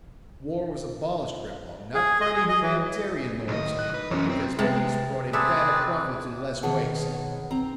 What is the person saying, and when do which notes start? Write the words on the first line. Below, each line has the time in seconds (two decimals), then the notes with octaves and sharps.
War was abolished, Reblong, not for any humanitarian motives, but because peace brought in fatter profits and less waste.
1.95 G#4
2.21 D#5
2.36 G#4
2.49 D#5
2.62 E3
3.48 B1 A2 D#3 D#5
3.79 F#6
3.94 B4
4.11 F#2 E3 C#4
4.30 C4
4.59 C3 G#3 B3 F#5 A5
5.33 C4 G#4 A4 B4 D5 E5
6.63 B2 D#3 G#4 C#5 F#5 A5
7.13 F#5
7.51 C4 A#5